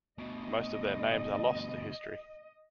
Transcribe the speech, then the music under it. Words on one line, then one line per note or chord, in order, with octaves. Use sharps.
Most of their names are lost to history.
D2 B2 D#5